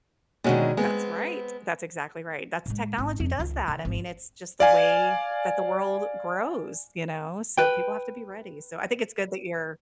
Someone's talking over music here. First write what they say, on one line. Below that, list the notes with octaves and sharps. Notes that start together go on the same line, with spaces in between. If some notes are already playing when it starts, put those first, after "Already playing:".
That's right. That's exactly right, that's technology does that, I mean, it's just the way that the world grows, you know? So, people have to be ready, so, I think it's good that you're
B2 D3 D#3 G#3 C#4 F#4
G#3 B3 C4
A2 G#3
G#1 D#4
F2
C#2 F4
D3
G#1
D5 F5 G#5
B4 G5